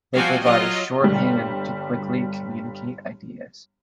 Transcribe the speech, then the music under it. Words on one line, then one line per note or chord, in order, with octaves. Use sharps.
They provide a shorthand to quickly communicate ideas.
F3 G3 F#4 F5 G5 G#5
F#3 F4 D#5
G1 G3